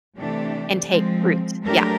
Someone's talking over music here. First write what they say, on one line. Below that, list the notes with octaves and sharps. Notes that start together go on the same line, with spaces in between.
and take root. Yeah.
C3 E3 A3 D4 G4
F3 G#3 C4
F#3 A3 D4 G4 A#4